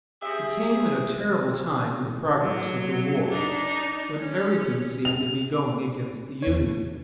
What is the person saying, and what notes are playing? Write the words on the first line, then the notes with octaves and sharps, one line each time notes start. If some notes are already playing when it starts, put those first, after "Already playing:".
It came at a terrible time in the progress of the war, when everything seemed to be going against the Union.
G4 G#4 E5
F#3
D4 D#4
C#4
F7
E2 C#5